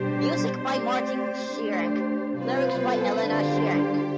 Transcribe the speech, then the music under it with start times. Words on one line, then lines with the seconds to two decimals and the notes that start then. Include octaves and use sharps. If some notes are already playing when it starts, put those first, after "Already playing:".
Music by Martin Schirenc, lyrics by Elena Schirenc.
Already playing: B2 G3 D4 G4 C5
0.61 A3 C4 G4 D5
1.47 A3 D4 G4 C5
2.33 C3 G3 B3 F4 B4 C5
2.77 A4
3.20 D3 G3 D4 F4 G4 C5